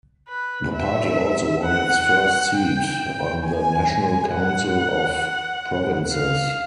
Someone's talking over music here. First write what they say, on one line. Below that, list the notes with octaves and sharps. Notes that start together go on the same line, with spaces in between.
The party also won its first seat on the National Council of Provinces.
B4
E5
F#5
G5
G#5
F#5
F5